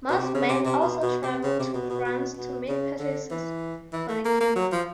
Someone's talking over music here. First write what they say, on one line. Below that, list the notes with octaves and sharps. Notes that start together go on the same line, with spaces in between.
Mosman also travelled to France to make purchases for the king.
B2
C3
C#3
C3
C3
B2
B2
C3
C#3
C3
B2
B2
B2
B2
C#3
D3
E3
E3
A3
A#3
A#3
F#3
F3